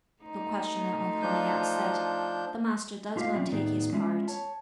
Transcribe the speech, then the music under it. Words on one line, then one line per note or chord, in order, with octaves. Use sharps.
The questioner on coming out said, "The Master does not take his part."
A3 D#4 C5
F3 D4 G6
F4 G4 C5 D#5 F5
F#3 C4 C#4 F4 D5 E5
D#2 A2 B3 D#4 G#4 D5
G#3 C#4 D4 E4 F4
C#5 A5